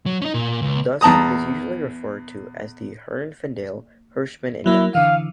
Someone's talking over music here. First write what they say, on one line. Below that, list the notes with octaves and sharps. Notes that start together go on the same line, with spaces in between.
Thus, it is usually referred to as the Herfindahl-Hirschman index.
F#3
C#4 D#4
A#2
C#2
E2 A5 A#5 D#6
F#3 A#3 E4
D3 E3 F5